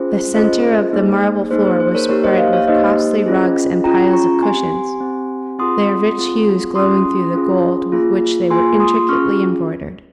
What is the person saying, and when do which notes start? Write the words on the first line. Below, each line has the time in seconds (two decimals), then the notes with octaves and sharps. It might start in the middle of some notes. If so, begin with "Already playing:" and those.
The centre of the marble floor was spread with costly rugs and piles of cushions, their rich hues glowing through the gold with which they were intricately embroidered.
Already playing: C#4 F4 G#4 C5
0.34 C#4 F4 G#4 C5 D#5
0.93 A#3 D#4 G#4
1.51 A#3 D#4 G#4 C5
1.65 C5
1.80 C5
1.95 A#4 C#5
2.09 A#3 D#4 G4 A#4 C#5
2.24 C5 D#5
2.38 C#5 F5
2.53 C#5 F5
2.68 A#3 D#4 G4 C5 D#5
3.26 C#4 F4 G#4
3.84 C#4 F4 G#4 G5 A#5
4.13 A#5 C#6
4.42 C4 G4 G#5 C6
5.01 C4 G4
5.59 C4 F4 G#4 C6 D#6
6.18 C4 F4 G#4
6.75 C#4 F4 G#4 C6 D#6
7.34 C#4 F4 G#4
7.92 A#3 F4 G#4
8.50 A#3 F4 G#4 G#5 C6
8.80 C6 D#6
9.09 C#4 F4 G#4 C#6 F6